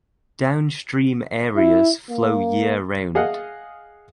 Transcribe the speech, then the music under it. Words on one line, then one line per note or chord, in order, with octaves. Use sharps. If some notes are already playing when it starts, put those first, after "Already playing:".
Downstream areas flow year round.
E4
A#3
G#4 D#5 F5 F#5